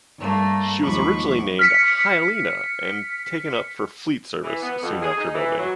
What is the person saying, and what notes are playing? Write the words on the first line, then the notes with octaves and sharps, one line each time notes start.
She was originally named "Hyalina" and taken up for Fleet Service soon after building.
G2 A3 A#3
D#2 F3 G#3 B5 C#6 D6
F6 B6 C#7
E3
B3
F2
G#4
D#4
E3
F#3